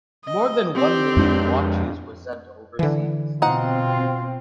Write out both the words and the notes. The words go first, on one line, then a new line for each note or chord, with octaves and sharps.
More than one million watches were sent overseas.
D#5
C4 G4
F2 G#3 D4
D3 E3
B2 C4 D#4 F4 F#5